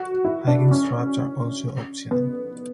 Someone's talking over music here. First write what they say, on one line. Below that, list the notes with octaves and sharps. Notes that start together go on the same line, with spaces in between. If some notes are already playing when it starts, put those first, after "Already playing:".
Hiking straps are also optional.
Already playing: F#4
E4
D4
C#4
B3